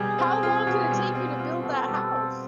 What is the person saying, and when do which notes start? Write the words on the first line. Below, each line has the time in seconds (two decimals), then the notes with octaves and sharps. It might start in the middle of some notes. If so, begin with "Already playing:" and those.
How long did it take you to build that house?
Already playing: B2 G3 G#4
0.19 C4
0.43 F4
0.67 B2
0.91 G3
1.15 C4
1.39 F4
1.63 B2 A4
1.88 G3
2.12 C4